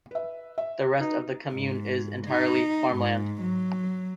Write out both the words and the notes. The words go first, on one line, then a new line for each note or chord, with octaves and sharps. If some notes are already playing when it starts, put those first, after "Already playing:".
The rest of the commune is entirely farmland.
B4 E5
E5
D#4 F#4 B4
G#2
D#4
G#2
F#3